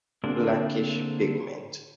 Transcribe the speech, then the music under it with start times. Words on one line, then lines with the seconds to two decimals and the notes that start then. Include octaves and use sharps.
Blackish pigment.
0.24 D3 A#3 C4 D4 G#4 A#4